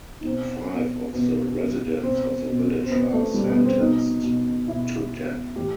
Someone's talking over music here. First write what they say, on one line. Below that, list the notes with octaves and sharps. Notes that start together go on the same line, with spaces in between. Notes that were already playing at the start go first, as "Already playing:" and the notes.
Five of the residents of the village are sentenced to death.
D#4
B2 C4
B2
B2 B3
B2
B2 C4
B2
C4
B2 B3
A3
B2 G3
B3
C4
B2 D#4
B2
B2 E4
B2
A2 E3 G4